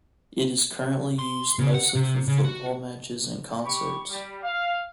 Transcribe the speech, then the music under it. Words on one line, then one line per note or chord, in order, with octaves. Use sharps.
It is currently used mostly for football matches and concerts.
C6
C#3
F#5
C3
C#3
F#4
G4 B5 C#6
G3
F5